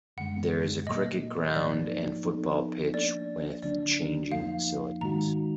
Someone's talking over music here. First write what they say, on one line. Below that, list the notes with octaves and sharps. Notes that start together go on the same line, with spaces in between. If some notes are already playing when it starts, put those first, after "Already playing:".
There is a cricket ground and football pitch with changing facilities.
F#2 D3 G#3 F#5
A#2 F#3 A#3 D#5
G#2 F3 A#3 D#4 D5
F3 B3 D#4
F3 A#3 D4 D5
D2 D3 F#3 D4 D5
F2 F3 A#3 D#4 F5
G#2 D#3 G#3 D#4 F#4 A#5